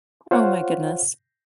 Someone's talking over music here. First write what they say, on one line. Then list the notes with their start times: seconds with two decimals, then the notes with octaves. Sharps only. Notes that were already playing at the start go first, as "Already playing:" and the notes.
Oh my goodness.
0.31 F4 C5 C#5 F5 F#5